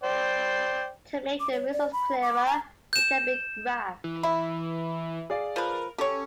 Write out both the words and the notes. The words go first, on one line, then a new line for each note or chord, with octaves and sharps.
To make the results clearer, they can be graphed.
C5 D5 G5
D6
C#5
D5
B5
D6
A#5
G6 E7
E3
E4 E5 B5
G#4 D5 F5
F3 A#4 B4
C#4 G4 A4 C#5